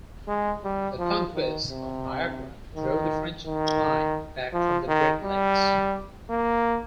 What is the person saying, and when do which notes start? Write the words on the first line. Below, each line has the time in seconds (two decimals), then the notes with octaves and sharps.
The conquest of Niagara drove the French line back from the Great Lakes.
0.28 G#3
0.64 G3
0.99 F3
1.34 D#3
1.70 C3
2.76 D#3
3.46 D#3
4.53 F3
4.88 D#3
5.24 G3
6.30 A#3